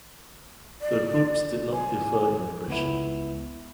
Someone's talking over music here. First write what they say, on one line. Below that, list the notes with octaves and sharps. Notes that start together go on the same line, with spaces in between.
The groups did not differ in aggression.
D5
G#5
C#2 B3 E4